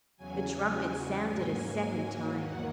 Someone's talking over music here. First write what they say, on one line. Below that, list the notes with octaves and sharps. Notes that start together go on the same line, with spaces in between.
The trumpets sounded a second time.
E2 C#3 F#3 G#5
G#2 F#3 A#3 G#5
E2 D#3 A#3 F#5